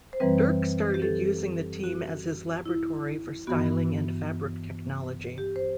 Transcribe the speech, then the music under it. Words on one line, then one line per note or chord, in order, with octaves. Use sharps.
Dirk started using the team as his laboratory for styling and fabric technology.
C5
F#2 E3 G3 C4 B4
G4
A4
F#4
E4
G2 E3 B3 F#4
G4
C5